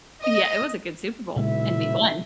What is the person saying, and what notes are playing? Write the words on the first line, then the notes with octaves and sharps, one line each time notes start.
Yeah, it was a good Super Bowl, and we won.
D#5
B1 A#2 C#3 G#3 E4 E5